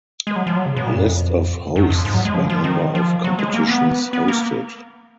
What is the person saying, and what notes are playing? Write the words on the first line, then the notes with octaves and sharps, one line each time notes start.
List of hosts by number of competitions hosted.
G#3
F#3
F3
F#3
C#3
B2
A#2
F#2
F2
F#2
F2
G#2
F#3
G#3
F3
F3
D#3
F3
F#3
G#3
A#3
B3
B3
A#3